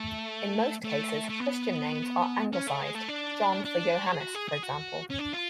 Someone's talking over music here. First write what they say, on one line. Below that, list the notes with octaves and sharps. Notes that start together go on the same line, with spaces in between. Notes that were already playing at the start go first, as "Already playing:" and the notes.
In most cases Christian names are Anglicised - John for Johannes, for example.
Already playing: A3
A3
A3
B3
C#4
A3
G#3
A3
D4
D4
G#4
F#4
G#4
G#4
F#4
C#4
D4
F4